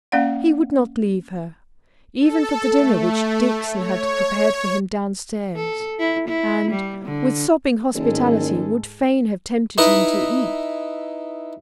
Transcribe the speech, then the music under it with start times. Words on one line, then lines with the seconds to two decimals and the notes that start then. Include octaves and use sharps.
He would not leave her, even for the dinner which Dixon had prepared for him down-stairs, and, with sobbing hospitality, would fain have tempted him to eat.
0.12 A#3 C#4 D5 F5 F#5
2.20 A4
2.73 A3
3.72 C#5
5.56 A4
5.99 E4
6.28 E4
6.71 G3
7.05 D3
7.94 F#1 G#2 D#3 G#3 A4
9.78 D#4 E4 B4 D#5